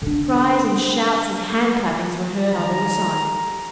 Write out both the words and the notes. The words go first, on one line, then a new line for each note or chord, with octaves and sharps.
Cries and shouts and handclappings were heard on all sides.
D3 D4
D#3 G4 A4 G#5 A#5